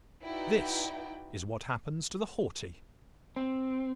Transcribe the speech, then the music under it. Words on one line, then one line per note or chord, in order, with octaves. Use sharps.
This is what happens to the haughty.
D#4 E4 F#4 B4 D5 G5
C4